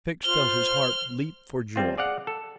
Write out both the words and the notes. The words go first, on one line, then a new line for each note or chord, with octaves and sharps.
Fix felt his heart leap for joy.
F4 C5 F6 G7
G3 C4 F4
G#4 D5 F5 F#5
A4